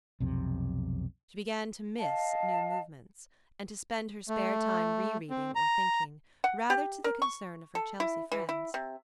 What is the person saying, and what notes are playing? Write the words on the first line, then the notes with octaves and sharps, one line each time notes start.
She began to "miss" new movements, and to spend her spare time re-reading or thinking, rather to the concern of her Chelsea friends.
B1 F2 C3
D#5 F5 A5
A3
C4
A#5
F#5
G4
A#4
C#6
A4
E4
E3
E4
C3